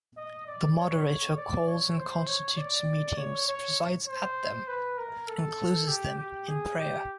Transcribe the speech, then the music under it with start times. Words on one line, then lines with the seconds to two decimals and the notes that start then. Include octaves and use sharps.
The moderator calls and constitutes meetings, presides at them, and closes them in prayer.
0.17 D#5
0.47 D5
0.77 C#5
1.37 D5
1.67 C#5
1.97 C5
2.27 C#5
2.57 D5
3.18 C#5
3.48 C#5
4.08 C5
4.68 B4
4.98 A#4
5.28 A4
5.88 G4
6.18 G4
6.48 G#4
6.78 G4